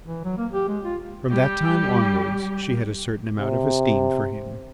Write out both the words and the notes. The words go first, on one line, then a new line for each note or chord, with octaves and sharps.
From that time onwards she had a certain amount of esteem for him.
E3
F#3
A#3
G4
G#3
F4
G3 G4
C3